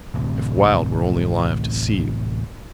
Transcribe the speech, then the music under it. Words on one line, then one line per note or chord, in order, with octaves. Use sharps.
If Wilde were only alive to see you!
A1 D2 C3